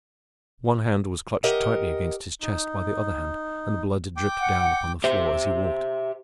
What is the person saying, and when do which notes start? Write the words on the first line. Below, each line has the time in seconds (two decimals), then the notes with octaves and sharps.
One hand was clutched tightly against his chest by the other hand, and blood dripped down upon the floor as he walked.
1.44 G4 A#4 D#5 F#5
2.42 D#4
4.17 G5 D6
4.38 F#5
5.04 G4 C5 E5